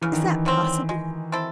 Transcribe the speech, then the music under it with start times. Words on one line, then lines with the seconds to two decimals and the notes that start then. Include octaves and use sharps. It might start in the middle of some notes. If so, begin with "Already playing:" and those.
Is that possible?
0.02 C#3 E3
0.12 D#3
0.22 E3
0.46 F#3 C4
0.89 G#3
1.32 C4 E4 A4